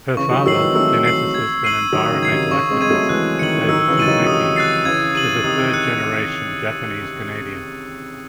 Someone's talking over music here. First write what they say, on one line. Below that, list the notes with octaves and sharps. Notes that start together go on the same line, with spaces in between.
Her father, geneticist and environmental activist David Suzuki, is a third-generation Japanese Canadian.
C#3 E3 C#6
D#3 F#3
D#3 F#3 E6 C7 F#7
E3 G#3
C4
F#3 A3 E6
C7 F#7
G#6
C7 D#7 F#7
D#3 F#3 D#6
C#3
G#6 C7
C3 D#3
C#3 C#6
G#3 C4
G#3 G#6 D#7
F#3 A3
E3 G#3 F#6
D#3 C#7 F#7
E3
D#3 F#3 E6
C#3 E3
G#3 A6 D#7 F#7
D#3 F#3
C3 D#3 D#6
F#6 A6 C7
C#3 E3 G#6
C3 D#7 F#7
C3 D#3 D#6
F#6 C#7